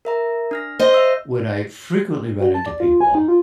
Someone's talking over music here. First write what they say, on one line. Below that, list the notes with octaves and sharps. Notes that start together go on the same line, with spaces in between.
when I frequently run into people
A#4 E5 A#5
D4 F6 A#6
C5 D#5
E5 E6
F#4
A5
D5
F4
G#5
D#4
F4